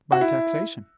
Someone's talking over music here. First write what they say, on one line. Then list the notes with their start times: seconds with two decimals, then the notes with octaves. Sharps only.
By taxation.
0.12 F#4
0.21 E4